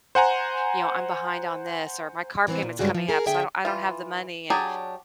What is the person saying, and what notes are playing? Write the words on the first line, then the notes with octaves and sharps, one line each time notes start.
you know, I'm behind on this," or "My car payment's coming up, so I don't I don't have the money," and,
C5 F#5 G#5 A#5
C3 E3 B3 C4
A#2
G2 C#3 G3 G#3 F#4
F3
G#4 A#4
D3 G#4 E5 G5
E3 F4
F#3 D4 G4 G#4 G#5